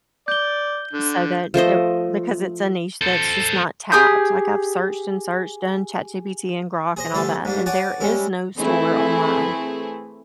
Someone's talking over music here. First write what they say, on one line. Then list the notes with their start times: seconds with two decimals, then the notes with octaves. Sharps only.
so that it because it's a niche that's just not tapped, like, I've searched and searched, done ChatGPT and Grok and all that, and there is no store, online,
0.28 D5 G6 G7
0.93 D3
1.54 F3 A3 C5 D#5
3.02 A4 C5
3.92 G4 G#4 D#6 G6
6.97 G#4 C5 D#5
7.13 D2 G3 G#4 A4 C5
7.45 G#2 G3 D4
7.66 C#5 D5 F#5 G#5 A5
8.00 G3 G#3 C#4 E4
8.58 E3 A3 C4 E4 G#4